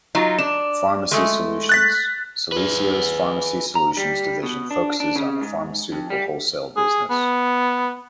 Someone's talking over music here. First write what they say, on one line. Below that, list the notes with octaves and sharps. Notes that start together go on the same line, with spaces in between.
Pharmacy solutions: Celesio's Pharmacy Solutions division focuses on the pharmaceutical wholesale business.
F#3 D#4 F4
D4 E7
G#3 A3
F#6 A6 B6
G#4 B4
A#5
G3
B2
D4
D4
C#3
G#2
F2
G3
G#4
B3